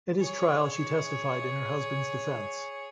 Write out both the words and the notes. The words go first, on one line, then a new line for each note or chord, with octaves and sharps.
At his trial she testified in her husband's defense.
G#4 C#5